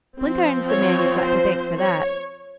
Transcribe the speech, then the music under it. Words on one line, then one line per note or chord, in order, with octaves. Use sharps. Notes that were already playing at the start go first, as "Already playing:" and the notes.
Blenkiron's the man you've got to thank for that.
F3 C4
C#5
C5
C#5